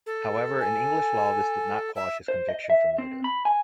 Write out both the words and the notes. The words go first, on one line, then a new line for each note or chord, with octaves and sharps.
However, in English law this did not quash his conviction for murder.
A4
G#5
E5
C5
D#5
E5
C4
B5
G#5